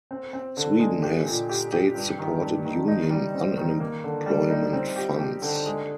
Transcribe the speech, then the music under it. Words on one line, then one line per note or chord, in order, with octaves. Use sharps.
Sweden has state-supported union unemployment funds.
C4
C4
D3
G#3
G4
A#2
G4
G4
G2
D#3
G2
D#3
D#4
G3
C4
D#3
A#3
D3
G3
D#4
C4
G4
G4
D3
G#3